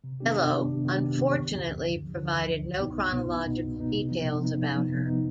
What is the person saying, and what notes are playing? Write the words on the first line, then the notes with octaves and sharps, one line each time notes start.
Bello, unfortunately provided no chronological details about her.
C3
D#3 B3 D4 G4
C3
D#3 B3 D4 G4
C3
D#3 B3 D4 G4
C3
D#3 B3 D4 G4
D2
D3 F3
D2
D3 F3
D2
D3 F3
D2
D3 F3
C2
B2 B3 D#4
C2
B2 B3 D#4
C2
B2 B3 D#4
C2
B2 B3 D#4
C3
F3 B3 D#4
C3
F3 B3 D#4
C3
F3 B3 D#4
C3
F3 B3 D#4